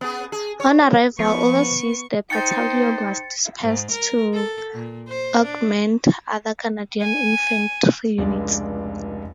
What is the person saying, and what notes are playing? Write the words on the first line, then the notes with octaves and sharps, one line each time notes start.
On arrival overseas the battalion was dispersed to augment other Canadian infantry units.
B3 G#4
G#4
C#5
F3 B3 C#6
D#4 C5 G5 A6 C#7
G#2
A#4
A4
A#2
C5
D4
G#5
F1 C#2 G#3 D4 D5